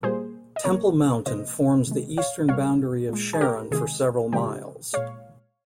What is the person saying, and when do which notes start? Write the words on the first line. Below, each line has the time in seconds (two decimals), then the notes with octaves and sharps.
Temple Mountain forms the eastern boundary of Sharon for several miles.
0.03 A#2 G3 A#3 G#4 C5
0.56 D#5
0.64 C3 G3 A#3 A#4 C#5
1.26 C3 F3 A#3 C5 D#5
1.87 C3 D#3 G#3
2.18 C#5 F5
2.48 C3 G3 A#3 C#5 F5
3.09 A#2 G#3
3.33 G#4
3.41 G4 A#4
3.71 C3 D#3 G#3 G#4
4.33 C#3 F3 G#3 G4
4.93 A#2 G#3 C#5 F5